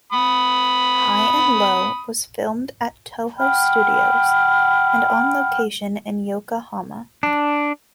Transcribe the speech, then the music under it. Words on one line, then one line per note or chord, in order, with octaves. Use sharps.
"High and Low" was filmed at Toho Studios and on location in Yokohama.
B5 D#6
F#5 G5 B5 F6
D4